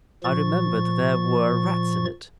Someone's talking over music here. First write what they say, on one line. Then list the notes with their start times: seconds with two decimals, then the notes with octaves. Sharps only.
I remembered there were rats in it.
0.24 A#2 F3 C#6 A6